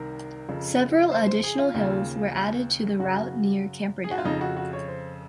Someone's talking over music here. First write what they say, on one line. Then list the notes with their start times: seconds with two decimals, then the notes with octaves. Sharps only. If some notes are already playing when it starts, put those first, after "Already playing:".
Several additional hills were added to the route near Camperdown.
Already playing: C2 C3 D#3 A#4
0.49 F2 C#3
1.12 C5
1.28 C5
1.44 G#4
1.59 F4
1.74 D#2 C#3
2.99 F#2 C#3 F#4
4.04 G#4
4.11 F#4
4.18 F4
4.25 F2 C#3 D#4
4.41 F#4
4.57 F#4
4.73 C#5
4.88 C5